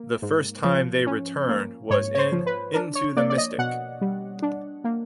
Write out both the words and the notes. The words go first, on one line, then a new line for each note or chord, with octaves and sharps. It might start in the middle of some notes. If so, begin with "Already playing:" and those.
The first time they returned was in "Into The Mystic".
Already playing: A#3
G#2
F3
C#4
A#3
G#2 C#5
C#5
C5
F3
B4
D4 A#4
C#5
A#3 D5
D5
D#5
B2 F#5
G3
D4
A#3